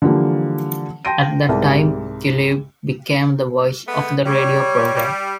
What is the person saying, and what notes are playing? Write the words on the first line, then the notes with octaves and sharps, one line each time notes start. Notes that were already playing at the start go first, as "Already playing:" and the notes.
At that time, Gliebe became the voice of the radio program.
D3 E3 F3 G3 A#3
G5 A5 C6 A#6 D7 D#7
C2 G#2 G3 A#4 A5
G#3 A3 B3
G3 C#5
G3